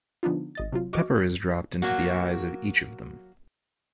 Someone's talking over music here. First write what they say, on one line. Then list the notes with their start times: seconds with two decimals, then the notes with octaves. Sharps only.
Pepper is dropped into the eyes of each of them.
0.23 D3 F3 B3 D4 D#4 F4
0.55 G#1 D#5 A6
0.72 C3 F#3 F4
0.93 F#4 D#5 C#6 D6 F6
1.82 F#3 A#3 F#4